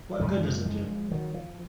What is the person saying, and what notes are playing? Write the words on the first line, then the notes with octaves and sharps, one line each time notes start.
What good does it do?
F#1 F#2 C#3 F3 G#3
F3 G#3
D#3 F#3
F3